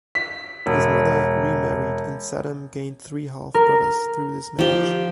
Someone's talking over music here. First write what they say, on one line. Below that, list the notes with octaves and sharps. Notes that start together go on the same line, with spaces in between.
His mother remarried, and Saddam gained three half-brothers through this marriage.
B6
E1
A#4
F3 G4